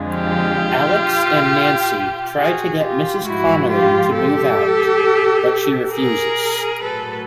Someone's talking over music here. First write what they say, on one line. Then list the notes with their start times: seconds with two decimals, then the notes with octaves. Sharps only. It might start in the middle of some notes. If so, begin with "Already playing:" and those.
Alex and Nancy try to get Mrs. Connelly to move out, but she refuses.
Already playing: F2 D3 F3 G#3
0.14 F4 G4
2.37 F#4 G#4
2.82 F4 G4
3.26 G#2 F3 G#3 E4 F#4
3.71 F4 G4
4.15 G4 A4
5.93 G#4 A#4
6.82 A2 F#3 A4 B4